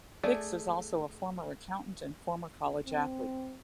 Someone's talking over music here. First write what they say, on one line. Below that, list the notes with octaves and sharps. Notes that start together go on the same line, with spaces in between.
Hicks is also a former accountant and former college athlete.
A3 G#4 D5
C4